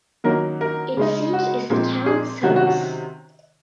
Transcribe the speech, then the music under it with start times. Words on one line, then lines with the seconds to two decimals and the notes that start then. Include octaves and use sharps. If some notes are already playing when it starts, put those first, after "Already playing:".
Its seat is the town Samos.
0.24 D#3 F#3 A#3 C#4 A#4
0.61 A#4
0.97 C#3 G#3 D#4
1.33 F#4
1.70 A#2 F3 G#3 C4
2.06 G#4
2.43 C3 D#3 F#3 C#4 F#4
2.56 F#4
2.67 F#4